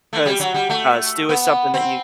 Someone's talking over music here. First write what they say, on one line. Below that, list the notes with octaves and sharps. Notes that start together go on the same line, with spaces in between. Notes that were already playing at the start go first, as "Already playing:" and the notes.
'cause, uh, stew is something that you
A3
G3
F#3
G3
A3
B3
C4